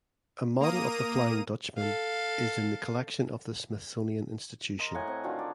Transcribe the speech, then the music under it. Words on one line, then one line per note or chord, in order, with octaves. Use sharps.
A model of the "Flying Dutchman" is in the collection of the Smithsonian Institution.
A#3 A#5 D#6 D#7
A4 F5
A#4 D#5 C6
A2 F#5 G#5
C4
D3 D#3 F4 F#4
D5